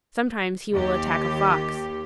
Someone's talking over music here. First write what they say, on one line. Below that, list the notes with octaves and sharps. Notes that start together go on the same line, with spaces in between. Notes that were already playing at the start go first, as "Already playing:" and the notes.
Sometimes he will attack a Fox.
D#2 G4